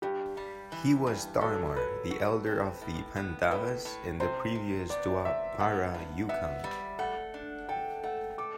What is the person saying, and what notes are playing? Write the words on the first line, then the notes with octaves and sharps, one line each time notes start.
He was Dharmar, the elder of the Pandavas in the previous Dwapara Yukam.
G2 G4
G3
E3
G2
F#3 A4
F#3 B4
F#4
C4
A2
B3
A2 B4
A2
C3 C5
C3
B3 D5
C3 E5
B3 F#5
G2
B3 E5
G3
A3 F#5
D4
A4 G5
A3 F#5
A4 D6